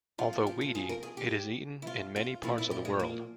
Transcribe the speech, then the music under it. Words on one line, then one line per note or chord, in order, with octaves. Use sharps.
Although weedy, it is eaten in many parts of the world.
A#2 F3 F4
F4
G4
F4
G#4
A#4
G#4
G4
E4
F4
F4
A#2 F3 E4
E4
G4
G#3
A#3